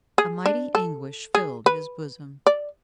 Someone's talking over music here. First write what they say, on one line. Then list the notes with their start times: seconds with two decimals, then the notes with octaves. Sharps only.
A mighty anguish filled his bosom.
0.18 G#4
0.46 D4
0.75 A4
1.35 G#4
1.66 B4
2.46 D5